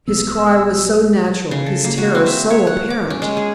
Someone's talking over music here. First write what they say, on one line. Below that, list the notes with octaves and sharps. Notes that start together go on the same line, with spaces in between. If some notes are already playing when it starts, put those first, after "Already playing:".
His cry was so natural, his terror so apparent!
B1 A3 B3 E6
C#3
A4
A#3
F#4
C4
E5
C#5
F#5
D6
C#4
G#3
G#4